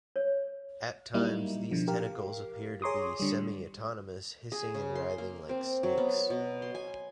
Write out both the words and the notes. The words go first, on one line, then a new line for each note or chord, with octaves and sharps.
At times, these tentacles appear to be semi-autonomous, hissing and writhing like snakes.
C#5
F#3 G3 A#3 D#4 E4
B2 D3 F3
G4 A#4 F5
G#4 C#5 A#5 C6 D6 D#6
D3 G3
G#4
C#3
C6
A#3
C4
F#3
B3
B2
C6
G#5